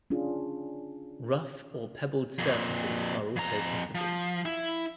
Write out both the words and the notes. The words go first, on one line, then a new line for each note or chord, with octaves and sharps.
Rough or pebbled surfaces are also possible.
C#4 D4 F4 G#4
F2 A#2
F2 A#5
F3
E4